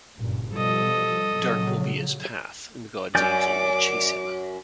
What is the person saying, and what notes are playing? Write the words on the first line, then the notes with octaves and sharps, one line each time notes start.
Dark will be his path and God's angel will chase him.
F#1 G2 A#2
B2 F3 G3 A4 D#5
A#2 C#3 F#3
F#2 D5 G#5 D6 G6